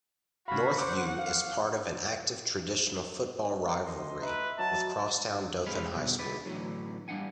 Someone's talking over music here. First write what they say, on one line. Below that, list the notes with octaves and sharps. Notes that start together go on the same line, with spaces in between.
Northview is part of an active traditional football rivalry with crosstown Dothan High School.
C#3 F#4 F5 B5
C5 F#5 C#6 D6
F5
D#5 C6
D#4 B4 E5
F#3 D#4 A5
C2 G#3 G4 F5 B5
B2 G3
D3 G#3 E4 B4 D5
A2 D3 E3 F#3
G3 D4 F5 F#5 G#5